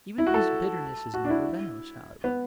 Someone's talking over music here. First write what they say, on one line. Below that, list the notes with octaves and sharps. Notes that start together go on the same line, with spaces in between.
Even his bitterness is never venomous, however.
E4
F#4
A4
F#4
D4
E4
B3